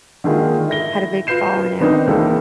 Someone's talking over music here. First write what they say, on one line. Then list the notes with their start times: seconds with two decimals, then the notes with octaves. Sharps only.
had a big falling out.
0.24 D3 D#3 G#3 A#3 F4
0.68 E4 A4 A#6 G7
1.27 F4 B4 G6 C7 E7
1.80 D#3 B3 C4 D4 D#4
2.07 C#2 E3 A#3 A4 B5